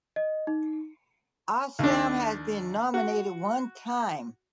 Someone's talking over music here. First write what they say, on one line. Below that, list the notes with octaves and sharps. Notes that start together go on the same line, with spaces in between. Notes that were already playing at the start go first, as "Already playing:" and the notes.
Aslam has been nominated one time.
D#5
D#4
D#2 D4
F#4